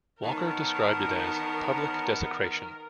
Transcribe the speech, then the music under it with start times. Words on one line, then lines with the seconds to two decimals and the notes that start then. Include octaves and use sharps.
Walker described it as "public desecration".
0.22 D#3 B3 D#4 A#4 C#5 A5